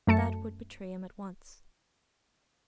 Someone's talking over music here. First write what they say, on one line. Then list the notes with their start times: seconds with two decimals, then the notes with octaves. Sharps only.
That would betray him at once.
0.07 F#2 A3 A5 C#7